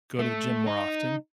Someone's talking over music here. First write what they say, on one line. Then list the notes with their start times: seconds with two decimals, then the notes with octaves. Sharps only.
go to the gym more often,
0.19 A3
0.67 D#4